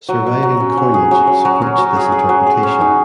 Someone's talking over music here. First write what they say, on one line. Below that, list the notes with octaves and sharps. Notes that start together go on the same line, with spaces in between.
Surviving coinage supports this interpretation.
F#3
F#3
F#3
C#4
F#3
G#4
F#3
F#3
F#3
C#4
F#3
G#4
G#4
F#3
G#4
C#4
D#4